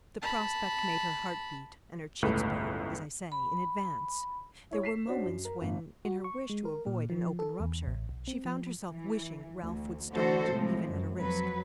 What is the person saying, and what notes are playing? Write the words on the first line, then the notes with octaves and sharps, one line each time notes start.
The prospect made her heart beat and her cheeks burn, as I say, in advance; there were moments when, in her wish to avoid an open rupture, she found herself wishing Ralph would start even at a risk.
A5 B5
G1 C#2 A2 A3 B4
B5
E4 C#5
B6 C7 E7
C#4 D4 F#4 C5
F#2
A#4
G1 A2
F#4
C#6
G#3
A#4
A#2
F3
A4
E2
A1
B1
C4
F3
E3
D2
D3 E3 A3 F#4 A4 C5
A2 C3 F3 G#3
F#2
F2 F#3 B4